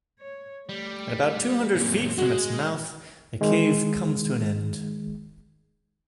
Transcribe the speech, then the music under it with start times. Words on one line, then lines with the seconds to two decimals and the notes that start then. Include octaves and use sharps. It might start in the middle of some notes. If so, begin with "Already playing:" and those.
At about two hundred feet from its mouth, the cave comes to an end.
0.19 C#5
0.69 G3 A3
1.75 F#2 A#2 A#3 C4
2.18 A2 G#3 F#4
3.41 D#3 G#3